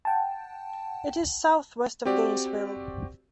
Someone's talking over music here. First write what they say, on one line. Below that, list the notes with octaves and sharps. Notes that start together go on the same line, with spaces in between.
It is southwest of Gainesville.
F#5 G5 A5
C4 F#4 G4 D5